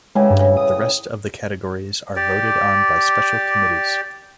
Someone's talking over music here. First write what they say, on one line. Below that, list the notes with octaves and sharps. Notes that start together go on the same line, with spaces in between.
The rest of the categories are voted on by special committees.
A2 C#3 E3 G#3
G2
D#6
G4 D5